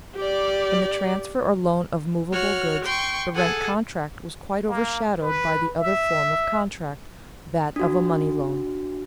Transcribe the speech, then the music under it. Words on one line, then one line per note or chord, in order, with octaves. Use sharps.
In the transfer or loan of movable goods, the rent contract was quite overshadowed by the other form of contract, that of a money loan.
G4 D5
F#4 C#5 F6
G5 C6 C#6
G#4 A4 F#5 G#5
A#3
B4
E5
D4 F#4